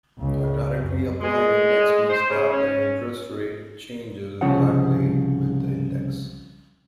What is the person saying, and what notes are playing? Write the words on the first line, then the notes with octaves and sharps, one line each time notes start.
A directly applied index means that the interest rate changes exactly with the index.
C#2 C#3
F#2
G#3
C5
C#3
C#4
C2 C#3 F3 F#5